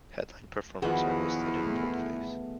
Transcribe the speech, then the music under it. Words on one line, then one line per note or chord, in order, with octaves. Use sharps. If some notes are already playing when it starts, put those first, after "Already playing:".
Headline performers are listed in boldface.
E2 C3 D#3 F3 F#4 G#4 B4 D#5
A3 B3